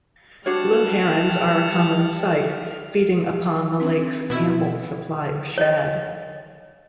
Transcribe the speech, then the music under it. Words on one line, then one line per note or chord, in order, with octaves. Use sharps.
Blue Herons are a common sight feeding upon the lake's ample supply of shad.
G3 D4 F#4 C#5 F#5 A5 F6
C4 D4 D#4
B2 E4
C#5 D#5